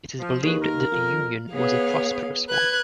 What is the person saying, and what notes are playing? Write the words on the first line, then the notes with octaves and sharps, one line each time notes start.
It is believed that the union was a prosperous one.
F3
D#2 C#4 G#4 B4
A#4
F2
B3 G#4 C#5 F5
B4 F#6 G#6